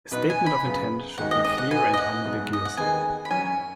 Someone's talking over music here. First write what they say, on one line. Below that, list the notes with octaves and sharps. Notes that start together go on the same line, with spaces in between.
A statement of intent should be clear and unambiguous.
B1 B2 B3 D#4 B4
G#5
B5
F#2 C#3 B3
D#2 D#3 G#3 D#4 F#4 F#5
D#5
D#5
F#5
B2 B3 D#4 F#4 D#5 G#5
D#5
F#5
B1 B2 G#3 D#4
D#5
F#5
D#2 D#3 B3 D#4 G#4 G#5
B5
F#2 F#3 C#4 F#4 C#5 G#5